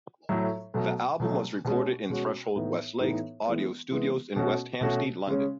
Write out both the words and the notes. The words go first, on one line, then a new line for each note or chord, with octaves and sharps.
The album was recorded in Threshold Westlake Audio Studios in West Hampstead, London.
A2 F#3 A3 E4
B2 F#3 A3
B2 F#3 A3
B2 G#3 C#4 F#4
B2 G#3 C#4 F#4
A2 E3 B3 D#4
A2 E3 B3 D#4
E3 G#3 B3
E3 G#3 B3
B2 A3 C#4 F#4
B2 A3 C#4 F#4
C#3 G#3 C#4